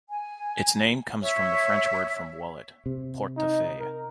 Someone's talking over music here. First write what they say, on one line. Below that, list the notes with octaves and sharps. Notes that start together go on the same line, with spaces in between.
Its name comes from the French word for wallet: "portefeuille".
G#5
C#5 E5
C3
D#4
A#4